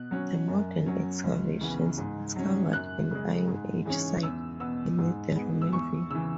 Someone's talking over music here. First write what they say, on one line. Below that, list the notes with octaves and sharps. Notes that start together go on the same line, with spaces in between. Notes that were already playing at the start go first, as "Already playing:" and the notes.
The modern excavations discovered an Iron Age site beneath the Roman villa.
Already playing: B2 F#6
F#3 C#4
F#2
F#3 C#4
C#2
C#3 E3 B3
G#2
F#3 C#4
F#2 F#6
C#3 G#3
G#2
E3 G#3 C#4
E2 E6
B2 B3 E6
G#2
G#3 B3
E6
E2 C#6
C#3 E3 E6